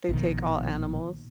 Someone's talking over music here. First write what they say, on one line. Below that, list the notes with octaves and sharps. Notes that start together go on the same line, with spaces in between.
they take all animals.
A#1 B2 D#3